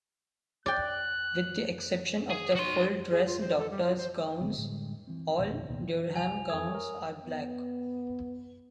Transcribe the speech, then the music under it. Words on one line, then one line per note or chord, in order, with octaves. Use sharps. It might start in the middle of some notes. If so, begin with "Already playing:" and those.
With the exception of the full-dress doctors' gowns, all Durham gowns are black.
D5 G5 F#6
G#4
F#4 C6
G#4
F4
C5
A4
G3
F4
C5
G#1 D3 B3 C4
A2 D3 G3 G#3
E3 C4
A#1 F2 B2 D#3
C2 A#2 D#3 B3
C2 G#5 F7
F2 A4 D#6 G#6
A#4 C#5
B3